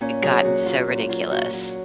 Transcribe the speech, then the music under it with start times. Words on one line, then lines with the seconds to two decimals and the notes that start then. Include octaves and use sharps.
I gotten so ridiculous.
0.01 A#2 C#4
0.22 F#3 G#4
0.44 A#2 F#4
0.65 F#3 F4
0.88 A#2
1.09 F#3 F4
1.30 A#2 F#4
1.53 F#3 F#4